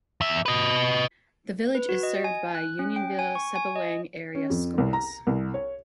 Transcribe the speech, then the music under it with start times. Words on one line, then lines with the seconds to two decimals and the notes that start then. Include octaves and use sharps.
The village is served by Unionville-Sebewaing Area Schools.
0.21 E2 E5
0.46 B4 D#5
1.75 B4
1.89 F#4
2.03 D#5
2.24 G#5
2.55 F#6
2.79 C#4
2.96 G5
3.19 G#5
3.35 C#6
3.56 G#5
3.76 D#5
4.35 C#4
4.50 F2
4.78 C2
4.93 A#5
5.27 C2
5.54 C#5